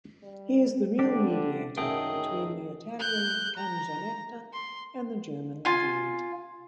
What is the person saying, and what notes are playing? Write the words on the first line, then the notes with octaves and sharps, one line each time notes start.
He is the real mediator between the Italian canzonetta and the German Lied.
G3
D3 D4 G4 D5
F#2 D#3 A3 G#4 G5
F#6 G6
A#5
C6
F4 G#5